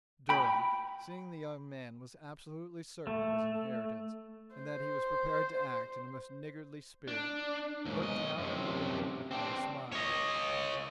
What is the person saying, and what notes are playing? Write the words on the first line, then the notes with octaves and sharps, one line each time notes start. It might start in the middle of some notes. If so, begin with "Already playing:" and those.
Durham, seeing the young man was absolutely certain of his inheritance, and that he was prepared to act in a most niggardly spirit, looked out of the window to hide a smile.
G5 B5
A3
C5
D4
D#2 G#2
B1 D#5
F#2 C3
C4 D4
C#5 D#5